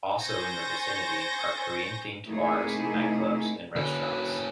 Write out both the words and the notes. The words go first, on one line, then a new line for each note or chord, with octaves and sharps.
Also in the vicinity are Korean-themed bars, nightclubs, and restaurants.
C5 G#5 C#6 G6 A6 A#6
C3 A3 A#3 D#4 E4 G#4
D3 A#3 C#4 F#4 A4 B4